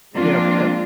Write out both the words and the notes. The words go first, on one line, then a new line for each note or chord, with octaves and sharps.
you know, f uh
F3 G#3 A#3 C4 D4 F4